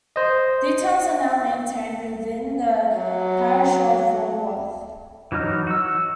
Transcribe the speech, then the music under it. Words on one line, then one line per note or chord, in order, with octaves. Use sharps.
Details are now maintained within the parish of Walworth.
C5 D#5
F#3
E3 F#3 D#4 F6
F#4 E6